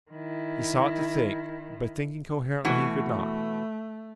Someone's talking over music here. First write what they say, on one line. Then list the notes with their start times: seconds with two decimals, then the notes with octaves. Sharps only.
He sought to think, but thinking coherently he could not.
0.11 D#3 E4
2.65 B2 E3 A3 F#4